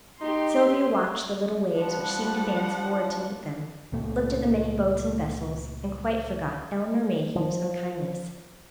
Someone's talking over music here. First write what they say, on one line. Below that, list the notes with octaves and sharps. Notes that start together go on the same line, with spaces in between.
Sylvia watched the little waves which seemed to dance forward to meet them, looked at the many boats and vessels, and quite forgot Elinor Mayhew's unkindness.
D#4 G4 C6
C5
F3 G3 D4 F#5
C#2 A#2 A3
F3